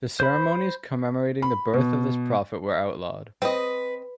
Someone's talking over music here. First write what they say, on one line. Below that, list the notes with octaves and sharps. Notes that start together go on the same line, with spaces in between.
The ceremonies commemorating the birth of this prophet were outlawed.
C5 B5
B5
B2
C4 B4 D#5